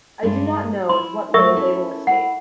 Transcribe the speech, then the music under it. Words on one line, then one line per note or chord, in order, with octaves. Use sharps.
I do not know in what way they will escape.
G2 G#3 D4
E4 C6
F#3 A3 A#4 E5 C#6
C#4 E4 A4
E4 F#5